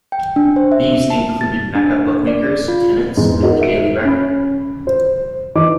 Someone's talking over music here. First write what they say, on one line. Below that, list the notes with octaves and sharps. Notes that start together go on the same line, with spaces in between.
These included Mecca Bookmakers, Tennent's and the Daily Record.
G5
D4
C5
E5
A5
A6
D4
D5
F4
E2 G#2
D#4 F#4 A#4
E5 D7
C#4 B5
C5
E3 D#4 D6